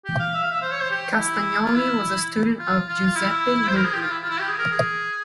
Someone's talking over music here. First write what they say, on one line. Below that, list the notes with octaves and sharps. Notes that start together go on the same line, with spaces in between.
Castagnoli was a student of Giuseppe Lugli.
G4
F5
E5
F5
E5
C5
C#5
C5
G4
E4
F4
E4
F4
F4
F4
E4
C5
A#4
G#4
G4
F4
E4
F4
E4
G4
G#4
A#4
G#4